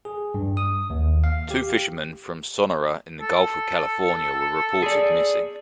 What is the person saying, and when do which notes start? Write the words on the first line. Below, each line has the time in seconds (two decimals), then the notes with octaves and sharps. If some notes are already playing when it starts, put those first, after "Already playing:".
Two fishermen from Sonora in the Gulf of California were reported missing.
0.05 G#4
0.34 G2
0.57 D#6
0.90 D#2
1.24 F5
1.51 G4
3.21 A4
4.83 G#4 D5